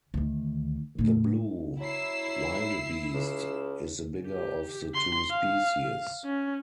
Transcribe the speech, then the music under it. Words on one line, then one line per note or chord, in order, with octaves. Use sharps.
The blue wildebeest is the bigger of the two species.
D2 D#3
A2 C#3
F#3 E4 E6 C7
C#2
G4
C6
F5
C#4